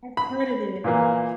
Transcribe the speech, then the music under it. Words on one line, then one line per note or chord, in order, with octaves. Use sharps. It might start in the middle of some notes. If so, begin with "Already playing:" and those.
I've heard of it.
B5
A#2 E3 A#3